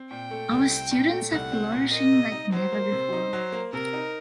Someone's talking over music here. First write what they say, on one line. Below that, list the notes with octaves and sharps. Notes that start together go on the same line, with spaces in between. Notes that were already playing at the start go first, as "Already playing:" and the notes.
Our students are flourishing like never before.
Already playing: C4
A#2 G5
A3
C2
C4
A#2
A3
C2 F#5
C4
A#2
A#3 D#5
C3
D#4
F#3 C5
A#3
C3
D#4
F#3
A#3
C3 A#4
D#4